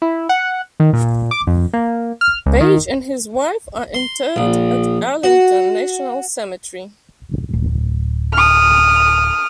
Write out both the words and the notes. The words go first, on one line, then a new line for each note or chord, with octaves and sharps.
Paige and his wife are interred at Arlington National Cemetery.
E4
F#5
D#3
A#2
D6
F2
A#3
F6
C#2
D#3
C6
A#1
F#4
D1
D#6 F6